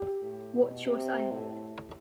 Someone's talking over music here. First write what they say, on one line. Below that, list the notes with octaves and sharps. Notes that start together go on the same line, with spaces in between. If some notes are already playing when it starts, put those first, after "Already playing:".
What's your sign?
Already playing: G4
A2
B2
C3
A2